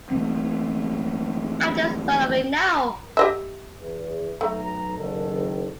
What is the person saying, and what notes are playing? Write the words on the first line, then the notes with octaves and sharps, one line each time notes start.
I’ve just thought of it now.
E3 A3 A#3 C4
G4 D#5 E5
E2
B1 A3 A#5
F#1 D#3 A4